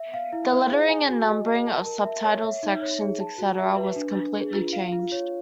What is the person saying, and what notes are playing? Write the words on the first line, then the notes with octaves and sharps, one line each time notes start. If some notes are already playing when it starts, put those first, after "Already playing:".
The lettering and numbering of subtitles, sections, etc., was completely changed.
Already playing: E5
F5
E4
C5
G#4
G#5
F#4
D#5
A#4
A5
A#4
E5
C#5
E5
D#4
C#5
G#4
A5
F#4
E5
B4
D4
D4
G#4
F4
F5
F4
C#5